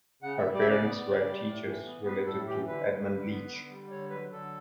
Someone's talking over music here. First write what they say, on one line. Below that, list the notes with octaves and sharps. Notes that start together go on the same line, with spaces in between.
Her parents were teachers related to Edmund Leach.
C#3 F#5
G3 E5
D5
C#3 E5
D5
B3
C#3
G3
A2
E3
B3
G3 B4
A2 A4
E3 G4
D3 B4
G3
D3
B3
D3
G3
D3 C#5
F#3 B4
D3 A4